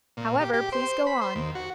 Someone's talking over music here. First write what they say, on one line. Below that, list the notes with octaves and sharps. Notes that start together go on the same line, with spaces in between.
"However, please go on."
A#2
G4
G4
C5
B5
C5
D#2
F#4